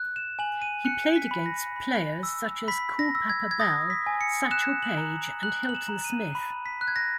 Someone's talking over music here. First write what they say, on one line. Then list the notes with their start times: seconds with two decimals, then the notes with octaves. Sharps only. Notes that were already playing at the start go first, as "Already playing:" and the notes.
He played against players such as Cool Papa Bell, Satchel Paige, and Hilton Smith.
Already playing: F#6
0.16 E7
0.39 G#5 F#7
0.62 D#7
0.85 F#6 C#7
1.16 B6
1.31 B5
1.46 A#6
1.76 B5
2.23 E6
2.68 B5 B6
2.99 A#6
3.15 E6
3.30 G#6
3.51 G#6
3.60 D#6 A#6
3.90 B6
4.06 G#5
4.21 C#7
4.51 F#6 E7
4.83 F#7
4.97 A#5
5.43 F#6 F#7
5.69 F#7
5.75 E7
5.89 A#5
6.05 D#7
6.35 B5
6.66 B6
6.81 F#6
6.88 G#6
6.96 A#6